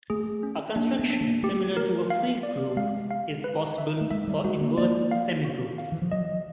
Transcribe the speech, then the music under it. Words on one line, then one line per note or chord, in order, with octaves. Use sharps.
A construction similar to a free group is possible for inverse semigroups.
A3 G#4
C#4
A#3 D4
B3
D4
A#3
A3 G4
A#4
F5
D5
G#3 F5
F5
B4
E5
A3
G#3 E5
G3
G#3 F#4
A#3
A#3 D5
F5
F#4
F5
E3
F3
F#3 D#5